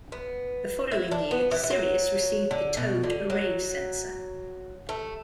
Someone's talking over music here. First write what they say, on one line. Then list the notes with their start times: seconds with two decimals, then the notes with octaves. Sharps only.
The following year, "Sirius" received the towed array sensor.
0.12 B3
0.91 E4
1.11 D4
1.31 B3
1.51 E3
1.63 E3
1.70 F#3
2.51 D3
2.77 B2
3.03 D3
3.30 F#3
4.89 A3